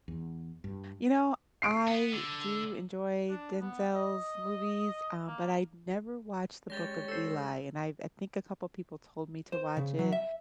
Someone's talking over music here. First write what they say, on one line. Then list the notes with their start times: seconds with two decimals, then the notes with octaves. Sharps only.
you know, I do enjoy Denzel's movies, um, but I've never watched The Book of Eli, and I I think a couple of people told me to watch it.
0.08 E2
0.64 G2
1.62 C7 D7
1.87 B3
2.12 D3
3.29 D4
3.61 B3
3.95 D#5
5.27 A#3
6.70 G#3 C#4 G4 C#5 A6 A#6
7.08 A4 C5 E6
9.52 C5
9.77 C#3
9.99 F#3
10.12 E5